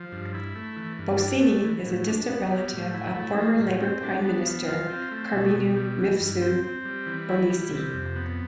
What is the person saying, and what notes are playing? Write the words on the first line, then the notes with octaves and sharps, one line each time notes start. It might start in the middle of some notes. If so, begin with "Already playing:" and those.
Bonnici is a distant relative of former Labour Prime Minister Karmenu Mifsud Bonnici.
Already playing: F3
G2
E4
A3
E3
G2
D4
A3
E3
A2
D4
B3
G3
A2
E4
A3
F3
A2
C4
D4
B3
F3
F4
C4
A3
B2
B2
G3
E3
G2
C4
C4
G3
E3
E4
G3
C3
F2
B3